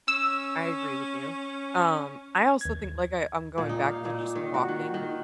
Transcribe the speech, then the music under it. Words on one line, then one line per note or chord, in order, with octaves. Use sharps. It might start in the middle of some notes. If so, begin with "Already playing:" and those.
I agree with you. Um, I also think, like I I'm going back to just walking.
C#4 E6
D#2 G#6
A#2
D#4
F5
A#2
D#3
F#4
D#3
D#3